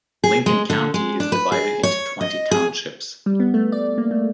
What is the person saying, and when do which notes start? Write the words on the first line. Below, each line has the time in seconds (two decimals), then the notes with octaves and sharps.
Lincoln County is divided into twenty townships.
0.24 G#4
0.46 G#3
0.70 D3
0.94 G#3
1.20 D4
1.32 B4
1.52 G#4
1.83 C#5
2.21 D#5
2.51 G#4
3.26 G3
3.40 B3
3.54 A3
3.72 D5
3.98 A#3
4.11 A3